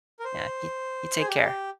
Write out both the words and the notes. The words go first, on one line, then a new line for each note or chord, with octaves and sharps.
Yeah. You you take care.
A#4
C5
G#4
G4
G#4
G4